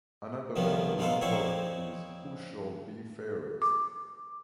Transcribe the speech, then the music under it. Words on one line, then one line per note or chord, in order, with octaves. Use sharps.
Another popular poem is Who shall be fairest?
C2 F#2 D3 D#3 F3 B3
B2 G#3 D#4 F4 A4
F3 C4 D#4 E4 C#5 D5
D6